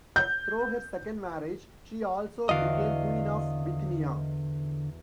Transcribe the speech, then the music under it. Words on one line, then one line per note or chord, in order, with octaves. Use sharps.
Through her second marriage, she also became Queen of Bithynia.
G6
E2 D3 F#4 D5 D#5 F5